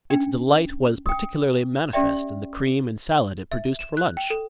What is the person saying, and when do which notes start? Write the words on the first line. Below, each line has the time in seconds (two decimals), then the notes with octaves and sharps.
Its delight was particularly manifest in the cream and salad it produced for lunch.
0.10 C#4 D4 G5
1.06 G5 D#6
1.93 C#4 G4 D5 E5 G5
3.52 E5
3.79 E7
3.97 F#6
4.17 G5
4.30 A4